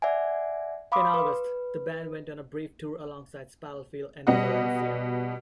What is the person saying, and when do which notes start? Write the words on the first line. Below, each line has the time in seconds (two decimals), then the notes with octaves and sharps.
In August, the band went on a brief tour alongside Spitalfield and Valencia.
0.02 D5 E5 F#5 G#5
0.92 F5 B5 C6 D6 D#6
1.14 B4
4.27 B2 G3 D#5 F#5